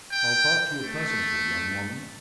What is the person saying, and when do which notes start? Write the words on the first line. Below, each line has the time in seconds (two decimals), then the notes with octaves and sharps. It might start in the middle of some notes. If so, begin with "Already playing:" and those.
I'll talk to you presently, young woman.
0.12 G5
0.83 A3